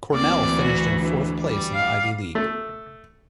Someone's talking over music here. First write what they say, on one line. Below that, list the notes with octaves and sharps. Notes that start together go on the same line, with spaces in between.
Cornell finished in fourth place in the Ivy League.
D2 E3 A#3 C4 D5
F#4
D3
G3 D5
F5
A3